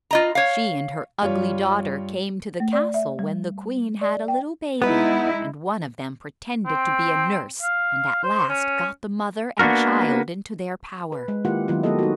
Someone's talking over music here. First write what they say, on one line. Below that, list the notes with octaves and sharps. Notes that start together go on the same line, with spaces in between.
She and her ugly daughter came to the castle when the queen had a little baby, and one of them pretended to be a nurse, and at last got the mother and child into their power.
F4 D#5 A#5
C#5 F5
G2 G3 F4 C#5
A3
D5
E5
G3
D5
G5
G#3 B3 D#4 E4 B4
C4
F5
C5
C#4
A#3 B3 D4 F#4 A#4
B4
G#3
D#3 A#3 E4 F4 G4 F#5
D#3 F#3 B3 E4 F4
A3 B3 F#4 G4 A4 D#5
D#4 F#4